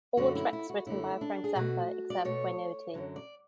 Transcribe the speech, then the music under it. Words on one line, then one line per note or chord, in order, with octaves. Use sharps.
All tracks written by Frank Zappa, except where noted.
F#2 D3 A3 F#4
E4
E4
F#4
F#2 D3 A3 E4
D4
G#4
B2 A3 F#4
D5
B2 A3 C#5
F#2 D3 F#3
D5